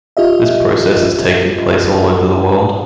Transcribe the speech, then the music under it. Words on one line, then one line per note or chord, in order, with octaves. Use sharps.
This process is taking place all over the world.
F4 G4 D#5 E5